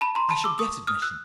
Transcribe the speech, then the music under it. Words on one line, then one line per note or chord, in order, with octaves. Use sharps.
"I shall get admission."
A5 B5
A#5 C6
A5 B5
D6 E6
C#6 D#6
D#6 F6
E6 F#6